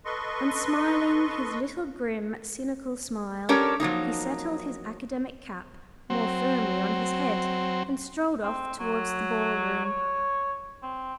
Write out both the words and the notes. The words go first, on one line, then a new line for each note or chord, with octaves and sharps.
And smiling his little grim, cynical smile, he settled his academic cap more firmly on his head and strolled off towards the ballroom.
A4 B4 D#5 C6 C#6
C#4 D4 G4 A4 A#4 C#5
F3 F#3 A#3 D#4
F#3 C4
C4
F#3
C#5
C4